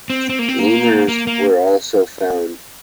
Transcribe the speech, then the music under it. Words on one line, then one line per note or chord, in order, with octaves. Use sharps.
Lemurs were also found.
C4
C4
A#3
C4
A#3
A#3
A#3